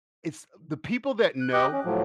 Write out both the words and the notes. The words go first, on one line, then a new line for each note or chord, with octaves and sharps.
it's the people that know,
F#6
G4 D#5 D6 F#6
C#4
A2 F3 F#3